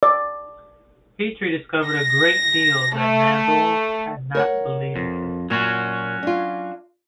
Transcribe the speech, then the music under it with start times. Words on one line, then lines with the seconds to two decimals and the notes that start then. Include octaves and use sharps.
Petrie discovered a great deal that Naville had not believed existed.
0.03 D5
1.86 A#6
2.95 A3
4.35 A#4 C#5 F#5
4.96 F2
5.50 A#2 F#3 C#4 F#4
6.23 D4 F4